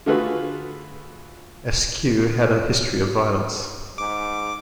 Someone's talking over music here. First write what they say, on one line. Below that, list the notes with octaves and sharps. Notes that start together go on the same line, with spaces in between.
Askew had a history of violence.
D3 A3 F4 F#4 G#4 B4
G#2 D6